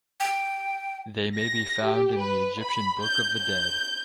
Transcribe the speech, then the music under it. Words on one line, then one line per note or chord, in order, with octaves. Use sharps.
They may be found in the Egyptian book of the dead.
G5
A#6
G4
B4
B5
G6
G6